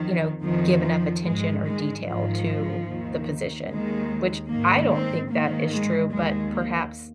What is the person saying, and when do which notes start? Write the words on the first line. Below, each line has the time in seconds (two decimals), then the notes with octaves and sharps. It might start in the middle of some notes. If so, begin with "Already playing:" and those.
you know, give enough attention or detail to the position, which I don't think that is true, but perhaps
Already playing: F2 D#3
0.42 F2 D#3 F3
0.82 F3
1.24 G#2 D#3 G#3
1.64 G#3
2.05 G#2 D#3 F3
2.87 D#2 D#3
3.67 D#2 D#3 G#3
4.49 G#2 D#3 A#3
4.90 C4
5.30 G#2 D#3 A#3
5.71 G#3
6.11 D#2 D#3 G#3
6.52 A#3